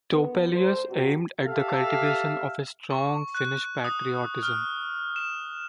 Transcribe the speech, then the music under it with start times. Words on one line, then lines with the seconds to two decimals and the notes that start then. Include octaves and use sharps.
Topelius aimed at the cultivation of a strong Finnish patriotism.
0.12 B3
0.49 D2 A4 C5
0.88 G2 C3 F#4
1.45 G4 A4 E5 F5
2.90 C#6
3.35 F#6
3.84 D#6
4.43 F6
5.16 E7